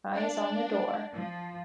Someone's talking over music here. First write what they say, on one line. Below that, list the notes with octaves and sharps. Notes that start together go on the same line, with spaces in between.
Eyes on the door.
D4
F3